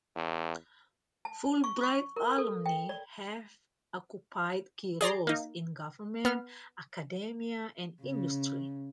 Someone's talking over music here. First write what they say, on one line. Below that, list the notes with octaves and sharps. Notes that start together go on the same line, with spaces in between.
Fulbright alumni have occupied key roles in government, academia, and industry.
E2
A5
C#6
C#6
A#4
A4
G5
D5
G#4 D5 A#5 C6
A#3 D#4
B3 F6
C#3